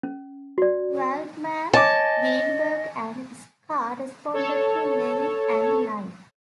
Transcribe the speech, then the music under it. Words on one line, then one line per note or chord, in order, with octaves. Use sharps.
Waldman, Weinberg, and Scarr responded to Levin and Lynn.
C#4
F#4 D5
C#5 D#5 G#5 A5 D6
A4 C#5 A5